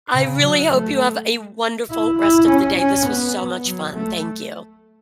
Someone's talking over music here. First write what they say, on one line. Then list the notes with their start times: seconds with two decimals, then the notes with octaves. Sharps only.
I really hope you have a wonderful rest of the day. This was so much fun, thank you.
0.14 C#3
0.43 F#3
0.72 A3
1.90 E4
2.19 E4
2.48 C#4
2.78 C#4
3.06 B3
3.65 F#3
3.95 A3